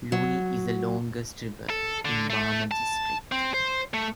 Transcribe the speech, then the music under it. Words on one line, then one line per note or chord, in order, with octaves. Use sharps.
Luni is the longest river in Barmer district.
F#3
A4
D3
A3
A5
C4
C5
A3